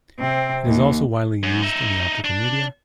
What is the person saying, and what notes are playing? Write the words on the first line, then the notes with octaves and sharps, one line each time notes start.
It is also widely used in the optical media.
C3 C4
D#2
F#2
D#4 E5
D4